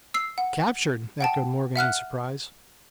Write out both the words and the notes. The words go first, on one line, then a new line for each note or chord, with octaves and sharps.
"Captured?" echoed Morgan, in surprise.
E6 C7
F#5
F#5 G5 A5
E5 F#5 F6 F#6